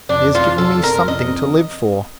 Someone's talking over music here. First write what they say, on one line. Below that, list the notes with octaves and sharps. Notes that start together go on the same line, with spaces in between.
He has given me something to live for.
F2 C3 D4
F1 F4
F2 C3 A4
F1 A#4
F2 C3 D#5